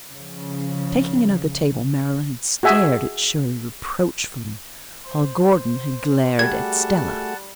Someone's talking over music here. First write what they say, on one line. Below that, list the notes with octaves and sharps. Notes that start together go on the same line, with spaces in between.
Taking another table, Marilyn had stared at Shirley reproachfully while Gordon had glared at Stella.
C#3 F3
F#4 G#4 E5 G#5
C5
G3 A3 F#4 G#4 F#5 A5 G#6